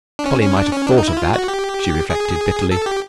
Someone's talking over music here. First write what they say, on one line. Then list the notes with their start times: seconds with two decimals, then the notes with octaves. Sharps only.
Polly might have thought of that, she reflected, bitterly.
0.19 D4
0.26 C#4
0.41 C#4
0.56 D4
0.72 C#4
0.87 D4
0.98 D#4
1.08 E4
1.17 F4
1.33 F#4
1.48 G4
2.10 G#4
2.71 A4
2.86 G4